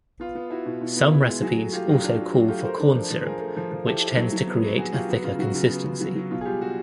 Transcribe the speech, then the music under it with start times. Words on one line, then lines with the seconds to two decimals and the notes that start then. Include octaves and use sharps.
Some recipes also call for corn syrup, which tends to create a thicker consistency.
0.20 B3 F4
0.35 B3
0.50 E4 F#4
0.66 B2
0.81 B2
0.96 B3
1.12 E4
1.27 G#3
1.42 F#3 F#4 G#4
1.58 A3
1.72 A3 F4 G4
1.88 F#3 F4 G4
2.03 D4 F4
2.18 F#3
2.33 F#3 F#4
2.49 A3 F4 G4
2.64 A3 A#4 C5
2.80 D4
2.95 F3
3.10 F3
3.25 F3 G#4 A#4
3.40 A3
3.57 F3
3.72 F3
3.86 E4 G4 A4
4.02 E4
4.17 F#3
4.33 F#3
4.47 B3
4.63 F#3
4.78 F#3 F#4 G#4
4.93 F#3 F4 G4
5.09 B3 F#4
5.24 C#3 F4
5.39 F#3 F#4
5.54 C#3
5.69 B3
5.85 C#3
6.00 F#3 F#4
6.15 F#3
6.31 B2 F4
6.41 G#4
6.45 G3 F4 G4
6.61 G3 F#4